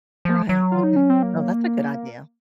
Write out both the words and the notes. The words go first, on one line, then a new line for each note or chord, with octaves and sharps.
Right, okay. Well, that's a good idea.
F3
F#3
F4
D#4
C#4
C4
A#3